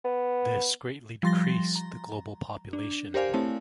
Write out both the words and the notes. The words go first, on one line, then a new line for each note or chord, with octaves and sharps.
This greatly decreased the global population.
B3
F3 G3 C6 A6 A#6 G7
A#5
D4
G4 A#4 C5 D5 F5 G#5
A3 C4 E4 C#5 A5